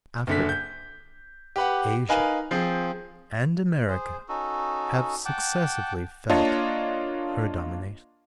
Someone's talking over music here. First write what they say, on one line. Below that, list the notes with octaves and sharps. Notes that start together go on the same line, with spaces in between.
Africa, Asia, and America, have successively felt her domination.
F#1 D3 B6
G6
G4 B4 F#5
D#4 A#4 B4 F5 G#5
F3 C4 G#4
G#4 C5
C#4 D#4 F#4 A4
F#5 G5 A5 D6
A#3 D4 F4 C#5 D#5 A5